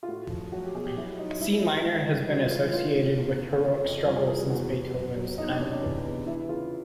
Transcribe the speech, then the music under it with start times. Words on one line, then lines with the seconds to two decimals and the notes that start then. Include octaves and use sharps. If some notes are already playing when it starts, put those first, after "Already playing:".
C minor has been associated with heroic struggle since Beethoven's time.
0.03 F4
0.08 A2 F#4
0.30 F3
0.52 F#3 F#4
0.64 G4
0.74 B2 G#4
0.86 G4
0.97 F#3 E4
1.19 F#3 D#4
1.40 G2 E4
1.63 G2
1.85 G#2
2.07 G3
2.29 G2 F#4
2.40 F4
2.51 E3 F4
2.73 A2 F4
2.95 A2
3.18 E2
3.39 C#3
3.62 C#3
3.84 F2
4.06 G3 F4
4.16 G#4
4.28 E3 G#4
4.50 E2 F#4
4.72 E2
4.95 F#2
5.16 F#3
5.38 E2 D#4
5.49 D4
5.60 C3 C#4
5.72 D4
5.82 E3
6.04 E2
6.27 E3 E4
6.49 C#3 F4